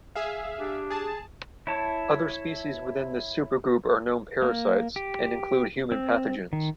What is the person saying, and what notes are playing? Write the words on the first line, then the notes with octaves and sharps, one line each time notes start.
Other species within this supergroup are known parasites, and include human pathogens.
G#4 E5 F5
D4 G4
G#4 A5
E4 C#5 A5
A#3
G4
C4
D#3